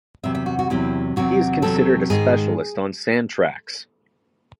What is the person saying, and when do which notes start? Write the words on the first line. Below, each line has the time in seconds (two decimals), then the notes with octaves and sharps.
He is considered a specialist on sand tracks.
0.23 E2 C3 F#3 C4 E5
0.35 E5
0.46 F#4
0.59 F#4
0.70 E2 C3 F#3 C4 E4
1.16 E2 C3 F#3 C4 F#4
1.62 E2 C3 F#3 C4 A4
2.10 G#2 D#3 G#3 G#4